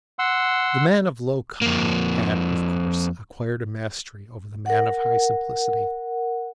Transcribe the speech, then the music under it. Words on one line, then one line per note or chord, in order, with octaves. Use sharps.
The man of low cunning had, of course, acquired a mastery over the man of high simplicity.
F#5 C6 E6
F2 A#3
A#4 F#5